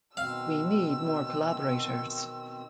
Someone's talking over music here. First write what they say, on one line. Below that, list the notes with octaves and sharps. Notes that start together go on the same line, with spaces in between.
We need more collaborators.
B2 D#3 C4 F5 E6